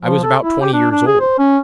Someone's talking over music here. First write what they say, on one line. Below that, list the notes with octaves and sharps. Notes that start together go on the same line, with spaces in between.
I was about twenty years old.
F3
A4
E4
G4
D4
D4
G#4
C5
C#4